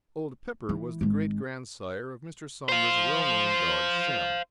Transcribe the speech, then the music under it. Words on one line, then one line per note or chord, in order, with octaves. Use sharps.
Old Pepper was the great-grandsire of Mr. Somner's well-known dog Shem.
E3
G#1 G#3
C5 F5